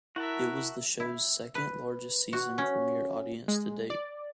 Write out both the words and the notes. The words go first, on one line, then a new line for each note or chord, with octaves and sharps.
It was the show's second largest season premiere audience to date.
E4 F#4 A#4 E5 F#5 A5
E4
B4
F#4
C#4
G#3
D5